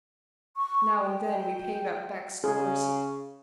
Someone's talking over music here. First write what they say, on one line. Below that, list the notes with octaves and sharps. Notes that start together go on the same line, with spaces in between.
Now and then we paid up back scores.
C#6
G5
C#3 G#4